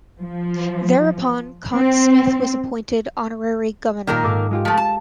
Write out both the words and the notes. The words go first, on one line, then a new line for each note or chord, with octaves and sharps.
Thereupon, Conn Smythe was appointed honorary governor.
F3
C4
A#2 D#3 A#3 A#4 B6
G#2 A4 D6
G#3 F4 G4
F3 A3
A5